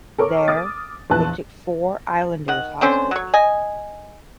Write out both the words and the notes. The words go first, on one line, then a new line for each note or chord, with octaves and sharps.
There, they took four islanders hostage.
A4 A#4 C#5 C#6 D6
D6 D#6 F6 A6
A#1 E2 E4 B4 A5 F#6
D#3 F#5
D3 C4 C#4 C5
F#3 C#5
D#5 G#5